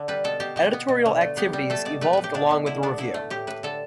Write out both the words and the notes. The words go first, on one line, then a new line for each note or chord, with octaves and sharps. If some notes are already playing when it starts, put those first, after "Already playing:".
Editorial activities evolved along with the review.
Already playing: D3
G3 B4
B2 A4
B2 G4
B2 G4
B3
B2
D3
A3
B3 G4
G3
A3 A4
B2 D5
A3 B4
A2 B4
G4
B2 D4
B2
D3 E4
B3 D4
D3 E4
A3
A2 G4
A2 B4
D3 A4